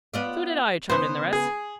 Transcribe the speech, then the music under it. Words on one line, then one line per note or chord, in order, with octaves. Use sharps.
"So did I," chimed in the rest.
B3 F4 D5
C#3 B3 C5
G#4